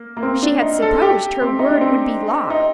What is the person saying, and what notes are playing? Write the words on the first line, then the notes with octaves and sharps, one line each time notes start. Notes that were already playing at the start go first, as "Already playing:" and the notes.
She had supposed her word would be law.
Already playing: A#3
A#3
C4
D4
D#4
A4
G4
C4
D#4
D4
C4
D#4